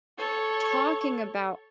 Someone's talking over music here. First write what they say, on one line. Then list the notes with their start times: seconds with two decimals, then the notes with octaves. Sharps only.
talking about
0.18 A4 C#5